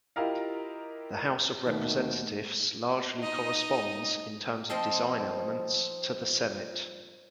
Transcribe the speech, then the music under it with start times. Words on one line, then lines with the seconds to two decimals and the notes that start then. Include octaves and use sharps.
The House of Representatives largely corresponds, in terms of design elements, to the Senate.
0.16 E4 F4 G4 A#4 D#5 F5
1.67 D#2 B2 D#3 A3
3.19 D#4 D#5
4.70 F3 C4 D#4 C5